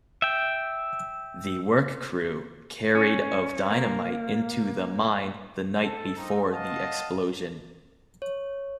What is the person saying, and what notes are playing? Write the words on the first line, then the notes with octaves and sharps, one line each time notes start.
The work crew carried of dynamite into the mine the night before the explosion.
E5 G5
C#4
A#3
A4
A#3 C4 D#4
D#5 F5 F#5 A5
C#5